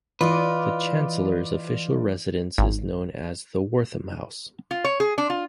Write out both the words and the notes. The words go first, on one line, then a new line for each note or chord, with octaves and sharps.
The Chancellor's official residence is known as the Wortham House.
E3 F4 B4 D5 D#5
G#1
F4
C#5
G#4
D4
F4